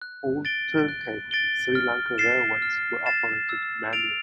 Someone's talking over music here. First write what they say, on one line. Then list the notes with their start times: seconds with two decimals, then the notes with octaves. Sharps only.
All turntables in Sri Lanka Railways were operated manually.
0.02 F#6
0.45 A6 D7 G7
0.88 F#6
1.31 A6 D7 G7
1.75 F6
2.18 A6 C7 E7
2.62 F6
3.06 A6 C7 E7
3.49 E6
3.93 A6 D7 F7